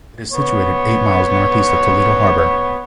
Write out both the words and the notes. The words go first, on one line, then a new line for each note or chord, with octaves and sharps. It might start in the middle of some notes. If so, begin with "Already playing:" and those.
It is situated eight miles northeast of Toledo Harbor.
B3 C#5